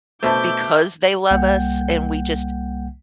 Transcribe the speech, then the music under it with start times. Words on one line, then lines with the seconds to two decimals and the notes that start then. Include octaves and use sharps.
because they love us, and we just,
0.23 B2 A3 C5 E5 A5 D6 G6
1.31 C2 G3 A#3 F#5 G5 G6